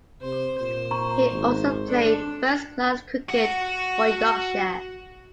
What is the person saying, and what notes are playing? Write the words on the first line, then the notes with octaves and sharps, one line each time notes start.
He also played first-class cricket for Yorkshire.
C3 C5
A#2 C5
A#5 C#6
G#1
D4 A4
F#4 F#5